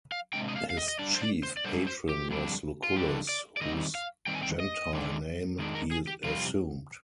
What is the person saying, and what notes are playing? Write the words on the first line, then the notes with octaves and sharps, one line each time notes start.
His chief patron was Lucullus, whose gentile name he assumed.
F5
C3 D#3 G#3 D4 G5
D#5
F5
F5
D#5
D#5
D3 G3 D4 D5
C5
D5
C5
D5
D3 G3 D4 C5
C5
G4
F2 D3 G3 D4
F4
F2 D3 G3 D4 G4
D5
D5
D#3 G3 C4 D#5
F5
D#3 G3 C4 G5
G#5
G5
D#5
D#3 G#3 D4
D#3 G#3 D4
A#4
G#4
G4
F2 C3 G3 C4 F4